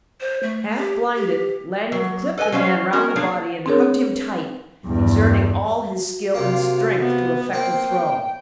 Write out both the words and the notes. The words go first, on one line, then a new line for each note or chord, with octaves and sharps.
Half blinded, Lanyard clipped the man round the body and hugged him tight, exerting all his skill and strength to effect a throw.
C5
A3
G4
G4
F#3
A4 B4 D#5 G#5
F#3 C#4 C5 D#5 F5
C#4 F#4 A#4
A#3 D4 F4 G#4 C#5
C4 D4 G#4 A#4 C#5
E2 G2
F#4
C3 A#3 F4
B3
A#3 C4 G5